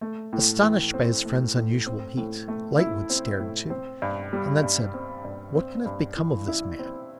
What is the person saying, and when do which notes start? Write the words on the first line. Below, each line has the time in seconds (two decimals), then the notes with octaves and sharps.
Astonished by his friend's unusual heat, Lightwood stared too, and then said: 'What can have become of this man?'
0.01 A3
0.33 A2
0.62 E3
0.94 C4
1.25 A3
1.56 A2
1.87 C4
2.17 A2
2.48 A3
2.79 E4
3.10 C4
3.39 A2
3.70 C4
4.02 G2
4.33 G3
4.63 G2
4.94 C4
5.25 G2
5.55 C4
5.86 G2
6.17 E3
6.48 E4
6.79 C4